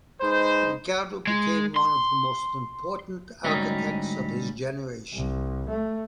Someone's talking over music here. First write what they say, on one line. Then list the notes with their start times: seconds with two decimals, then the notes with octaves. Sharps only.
Ricardo became one of the most important architects of his generation.
0.21 G#3 D#4 B4 C5
1.27 G#3
1.76 C6
3.44 D2 G#2 F#3 G3 C#4 D#4
5.13 C2
5.69 A3